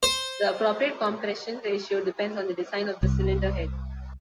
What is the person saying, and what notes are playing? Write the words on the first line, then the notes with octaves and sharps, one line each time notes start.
The appropriate compression ratio depends on the design of the cylinder head.
C5
C2